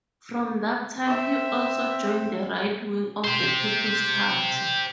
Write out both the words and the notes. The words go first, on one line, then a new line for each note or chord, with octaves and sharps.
From that time he also joined the right wing of the People's Party.
C4 E5
G4 C5